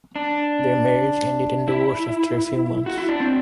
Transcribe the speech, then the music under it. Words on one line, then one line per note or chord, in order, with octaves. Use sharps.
Their marriage ended in divorce after a few months.
D4
E4
F#4
E4
D4
C4